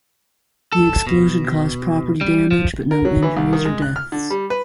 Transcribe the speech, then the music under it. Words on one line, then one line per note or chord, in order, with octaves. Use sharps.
The explosion caused property damage but no injuries or deaths.
A4
B2
G3
F3
A#4
F#3
E3
C2
D#3
G#3
F#6
F6
D3
G3
B4